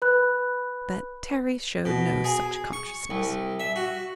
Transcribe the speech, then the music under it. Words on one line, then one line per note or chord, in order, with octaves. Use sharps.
But Terry showed no such consciousness.
B4 B5 F#6
B2
G#4
C#6
C2
E5
F#4